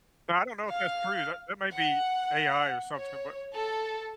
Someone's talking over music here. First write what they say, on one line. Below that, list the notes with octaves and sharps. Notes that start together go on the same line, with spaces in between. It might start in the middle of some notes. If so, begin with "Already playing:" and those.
Now I don't know if that's true, that that might be AI or something, but
F5 F6
F#5
C#5
A4